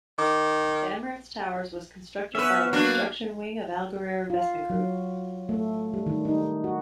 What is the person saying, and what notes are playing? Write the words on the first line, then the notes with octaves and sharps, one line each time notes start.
The Emirates Towers was constructed by the construction wing of Al Ghurair Investment group.
D#3 D6
B3 C#4 B4 E5
F#3 A#3 D4 F#4
F4
F#3
A3
G3
D#3
D#4
F#4